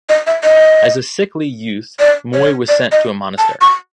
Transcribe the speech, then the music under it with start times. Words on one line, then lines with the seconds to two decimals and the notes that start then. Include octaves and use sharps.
As a sickly youth Moy was sent to a monastery.
0.09 D#5
0.27 E5
0.44 D#5
1.99 D5
2.34 C#5
2.69 D5
2.92 D#5
3.38 A5
3.61 C#6